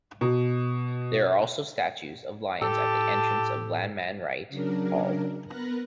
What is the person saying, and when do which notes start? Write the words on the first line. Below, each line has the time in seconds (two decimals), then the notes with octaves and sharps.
There are also statues of lions at the entrance to Lanman-Wright Hall.
0.21 B2
2.61 A2 G4 A4 A5
4.49 C#3 F#3 D4 A#4
5.46 B3 A#4 B4 F#6 A#6